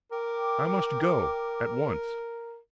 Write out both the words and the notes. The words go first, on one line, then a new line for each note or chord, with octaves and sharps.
I must go--at once.
A#4 G5 D6